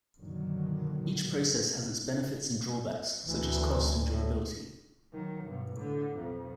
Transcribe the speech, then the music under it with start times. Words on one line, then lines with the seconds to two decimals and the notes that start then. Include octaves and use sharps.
Each process has its benefits and drawbacks such as cost and durability.
0.19 A#1 F#2 B2 D3 D#3 F#3
3.24 D2 E3
4.07 A2
5.13 D#3 F#3
5.45 G2 B2
5.74 A2 D3
6.17 B1 F2